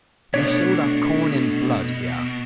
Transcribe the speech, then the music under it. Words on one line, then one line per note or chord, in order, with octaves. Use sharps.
We sowed our corn in blood here.
B2 A3 D4 C#5